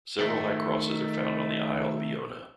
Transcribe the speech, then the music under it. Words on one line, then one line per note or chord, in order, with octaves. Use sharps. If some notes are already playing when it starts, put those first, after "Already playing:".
Several high crosses are found on the Isle of Iona.
D#3 A3